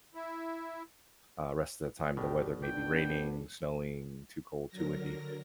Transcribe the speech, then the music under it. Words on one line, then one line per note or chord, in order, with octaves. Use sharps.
Uh, rest of the time, the weather may be raining, snowing, too cold, too windy.
E4
G#1 B2 G4
B3 D4 G5
D3 F#3 A#4 A#6